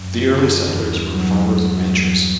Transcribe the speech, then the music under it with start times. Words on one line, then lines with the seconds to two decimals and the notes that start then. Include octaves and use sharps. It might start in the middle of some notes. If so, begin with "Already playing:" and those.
The early settlers were farmers and ranchers.
Already playing: F#2
0.28 D3
0.68 E2 G2
1.09 F#3
1.49 F#3